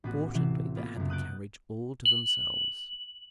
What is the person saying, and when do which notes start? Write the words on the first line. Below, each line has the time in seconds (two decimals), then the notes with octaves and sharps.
Fortunately they had the carriage all to themselves.
0.04 A1 B3 F#4
0.34 C3 E3 C4
0.76 A#3 B3 F4
0.96 C#2 F#2
1.10 D#6 F#6 G6 A6 D7
2.05 F#7